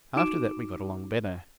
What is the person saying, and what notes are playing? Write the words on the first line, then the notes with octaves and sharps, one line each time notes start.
After that we got along better.
D#4 F#4 D6 D7 E7